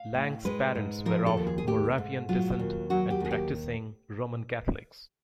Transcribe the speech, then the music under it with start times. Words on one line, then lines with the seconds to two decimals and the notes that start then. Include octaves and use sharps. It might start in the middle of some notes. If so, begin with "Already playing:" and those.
Lang's parents were of Moravian descent and practicing Roman Catholics.
Already playing: F5
0.14 A2
0.45 G#3 B4
0.75 G#2
1.06 F3 A#4
1.26 A4
1.37 D#2
1.47 G#4
1.58 G#4
1.67 A3 G4
1.98 G#2
2.29 F#3 F4
2.59 D#2
2.90 F#3 F#4
3.10 G4
3.20 D#2 G#4
3.31 G4